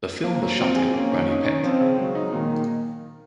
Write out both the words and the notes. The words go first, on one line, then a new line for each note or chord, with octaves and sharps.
The film was shot in Ranipet.
F3 A#3
F#3
C4 F4
G#4
A#3 C#4
D#3
D#4
D#3
F3 C4
C#3
F#3 G#3
D#4
A#2 D#3